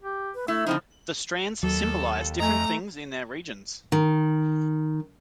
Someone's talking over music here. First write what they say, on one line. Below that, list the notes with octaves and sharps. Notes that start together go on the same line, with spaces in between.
The strands symbolize different things in their regions.
G4
B4
A3 E4 E6
D3 F3 C4 D#4 E4
D#2 F#3 A4
F2 A3 D#5 G#5 A#5
D#3